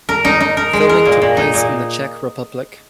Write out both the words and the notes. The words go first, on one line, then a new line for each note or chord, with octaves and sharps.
Filming took place in the Czech Republic.
A#4
D#4
D#4
A#4
G#3
A#4
A#2
A#2
D#4
A#2